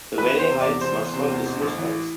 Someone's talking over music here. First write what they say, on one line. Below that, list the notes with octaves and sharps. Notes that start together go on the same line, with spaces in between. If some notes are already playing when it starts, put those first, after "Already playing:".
The Valley Heights mascot is Mustangs.
E1 B4
E1
C5
C3
D5
E2
E1 C5
E1
C3
E2
A1
A1
E3